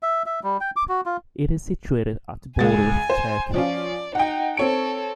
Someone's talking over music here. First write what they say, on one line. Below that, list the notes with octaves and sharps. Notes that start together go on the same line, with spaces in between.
It is situated at the border with Turkey.
E5
E5
G3
G5
D6
F#4
F4
C#2 G#3 G#5 A6
C5
F3 C#4 F4 D5
D#4 F#5 G5
C4 A4 C#5 D7